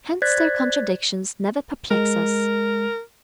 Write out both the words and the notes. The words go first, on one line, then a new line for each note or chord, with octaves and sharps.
Hence their contradictions never perplex us.
C5 D5 F#6 G#6 A6 B6
G#3 A#4